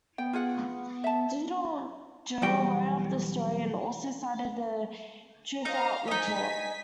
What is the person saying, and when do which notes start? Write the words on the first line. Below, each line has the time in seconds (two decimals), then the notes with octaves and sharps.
Digital Journal wrote up the story and also cited the "Truthout" report.
0.18 B3 G5
0.33 F4 G#4 F#5
1.04 E5 A5
2.42 B1 E2 G3 F#4 G5
5.65 D#4 C5 D#5 F5 A#5
6.08 D#4 D#5 G#5 B6